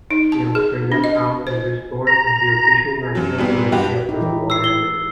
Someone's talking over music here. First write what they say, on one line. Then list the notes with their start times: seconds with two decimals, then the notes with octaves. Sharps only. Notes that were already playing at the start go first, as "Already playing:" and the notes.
The Australian pound was restored as the official national currency after the war ended.
0.11 D#4
0.32 A5
0.55 G#4
0.92 D4
1.04 D#5
1.47 C5
2.07 A#5
3.15 F#2 F#3
3.38 G#2 G3 B3
3.72 G2 F#4 G4
4.09 D#4 E4 G4
4.21 E3 G#3
4.50 E6 C7
4.64 G7